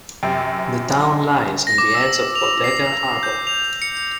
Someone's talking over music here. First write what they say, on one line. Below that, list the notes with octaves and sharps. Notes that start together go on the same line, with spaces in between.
The town lies on the edge of Bodega Harbor.
F#2 C3 G5
A#6
D6
E6
F7
C7
G6
F7
C#7